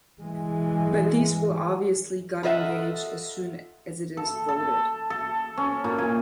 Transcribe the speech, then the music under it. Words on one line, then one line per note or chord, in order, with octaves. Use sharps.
But these will obviously got engage as soon as it is voted.
E3 G#3
F4 A4 D#5 E5 F#5
A4
A4
A4
C#4
A#2
G#5